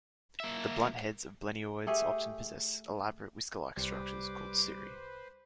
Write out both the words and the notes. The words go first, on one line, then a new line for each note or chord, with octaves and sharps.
The blunt heads of blennioids often possess elaborate whisker-like structures called cirri.
A#3 E5
A3 G4 G#4
C2 G3 B4 C5 D6